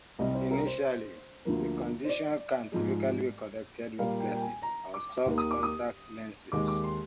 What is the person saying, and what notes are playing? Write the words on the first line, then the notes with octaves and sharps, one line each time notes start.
Initially the condition can typically be corrected with glasses or soft contact lenses.
C2 C3 G3 D#5
C5
A#4
C5
D2 D3 F3 A#3
C5
D5
G#2 F3 G#3
A#2 G3 A#3 F5
G5
G5
G#5
A#5
D6
D#2 D#3 A#3
D#6
D6
D#6
D#2 D#3 G#3 D6
D6
C6